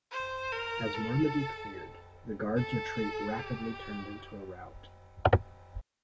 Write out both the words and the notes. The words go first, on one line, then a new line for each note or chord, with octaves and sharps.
As Marmaduke feared, the Guard's retreat rapidly turned into a rout.
C5
A#4
A4
A4
G4